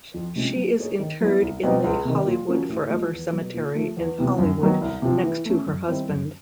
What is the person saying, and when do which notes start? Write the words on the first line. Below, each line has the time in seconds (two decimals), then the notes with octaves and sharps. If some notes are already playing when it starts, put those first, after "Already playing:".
She is interred in the Hollywood Forever Cemetery in Hollywood next to her husband.
0.14 F2
0.36 C3 F3 G#3 C#4
0.56 F#3
0.78 A#3 D#4 G#4 C#5
0.99 D#3
1.21 F#3 B3 E4
1.42 C2
1.63 B2 G3 C4 D#4
1.84 C#2
2.05 C3 D#3
2.26 A#2
2.48 F3 A#3 C#4 F#4
2.69 A2
2.90 F3 G#3
3.11 E2
3.33 B2 F#3
3.54 A#2
3.75 F3 A3
3.97 E2
4.18 C3 E3 G3 B3
4.38 F#2
4.60 D#3 F#3 B3
4.81 C2
5.02 C3 F3
5.23 E3
5.46 A3 C#4
5.66 F#2
5.88 D#3 G3 C4 E4
6.08 F#2